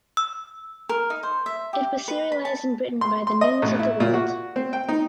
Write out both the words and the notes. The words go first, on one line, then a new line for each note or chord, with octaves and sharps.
It was serialised in Britain by "The News of the World".
E6
A#4
D#4
C5
E5
G4
B4
B5
A5
C6
C6
D#5
A1
E4
A#2
F#4
C4
G5
D#4